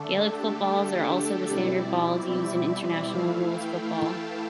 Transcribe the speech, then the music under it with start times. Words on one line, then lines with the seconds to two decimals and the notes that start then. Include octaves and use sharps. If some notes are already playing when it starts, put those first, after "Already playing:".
Gaelic footballs are also the standard balls used in international rules football.
Already playing: D3 A3 D4 A4
0.28 G4
0.68 G4
1.50 B2 G3 C4 E4 D5
2.32 E5
3.13 E3 A3 E4 F5
3.54 G5
3.94 A5